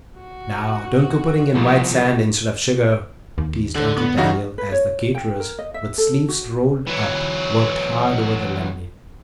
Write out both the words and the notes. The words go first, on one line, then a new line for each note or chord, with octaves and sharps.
"Now, don't go putting in white sand instead of sugar," teased Uncle Daniel, as the "caterers," with sleeves rolled up, worked hard over the lemonade.
F#4
C2 B2 F3 G3
D#2
D3 A4 D5
B3
C#3 E3 D#4 F#4
B4
C#5
G5
A#4
D#5
E5
A4
F#4
E3 F#3